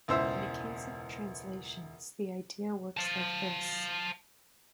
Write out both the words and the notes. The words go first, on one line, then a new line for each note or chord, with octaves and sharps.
In the case of the translations the idea works like this.
E1 C#2 E4 C5 E5 E6
F5 A5